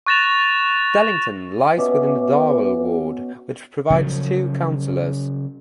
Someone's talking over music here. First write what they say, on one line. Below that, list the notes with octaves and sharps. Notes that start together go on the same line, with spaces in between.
Dallington lies within the Darwell ward, which provides two councillors.
C#6 F#6 A6 A#6 E7 F7
B2 C#4 B4 E5 D6
C#3 F3 F#3